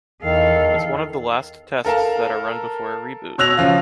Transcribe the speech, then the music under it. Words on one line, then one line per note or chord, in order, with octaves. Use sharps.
It's one of the last tests that are run before a reboot.
E2 D#3 A4 F5
A4 A#4 F5 A5
B2 C#5 E6 F#6 A#6 F7
C#3 F3 F4